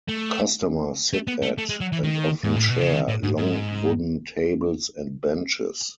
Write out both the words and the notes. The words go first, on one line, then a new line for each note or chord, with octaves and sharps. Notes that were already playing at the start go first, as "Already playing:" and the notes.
Customers sit at, and often share, long wooden tables and benches.
A3
A3
B3
A3
A3
G#3
F#3
E3
D#3
G#2
A2
B2
C#3
D#3
A2
G#2
G#2